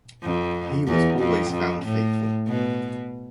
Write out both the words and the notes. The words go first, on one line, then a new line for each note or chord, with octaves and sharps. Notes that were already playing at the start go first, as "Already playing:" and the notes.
He was always found faithful.
F2
E2
F2
F2
A2
B2